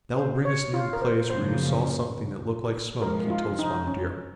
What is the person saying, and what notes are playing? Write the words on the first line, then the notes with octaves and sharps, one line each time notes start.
"That will bring us near the place where you saw something that looked like smoke," he told Spotted Deer.
C5
C#5
F4
A#4
C5
F#2 C#3 F3 A#3 C5
C3 F3 G#3 A#4
F4
D#4
C#4